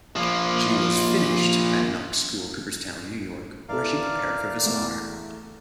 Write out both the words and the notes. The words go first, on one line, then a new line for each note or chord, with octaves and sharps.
She was "finished" at Knox School, Cooperstown, New York, where she prepared for Vassar.
F3 A#3
E3 E4 A4 A#4 D5 F5
E2 A3 E5